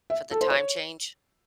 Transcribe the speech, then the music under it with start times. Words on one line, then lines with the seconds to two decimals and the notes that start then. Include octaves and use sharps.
for the time change
0.10 E5
0.31 A4
0.41 C5
0.51 C#5